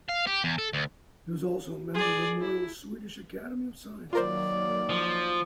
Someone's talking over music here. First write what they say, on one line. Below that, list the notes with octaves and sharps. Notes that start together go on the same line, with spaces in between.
He was also a member of the Royal Swedish Academy of Sciences.
F5
G4
E2
A4
D2
G#4 D5
E4
D#3 F#3 A#3 F4 A#4 C5 D5
F3